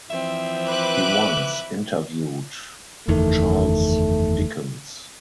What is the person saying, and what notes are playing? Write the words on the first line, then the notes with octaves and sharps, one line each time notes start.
He once interviewed Charles Dickens.
E3 F3 C4 E5
B4 D6 F#6
F#1 E2 D#3 A3